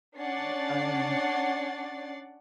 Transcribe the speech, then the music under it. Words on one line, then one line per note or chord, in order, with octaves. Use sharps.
But I'm
C#4 D4 D5 F#5 A6 C7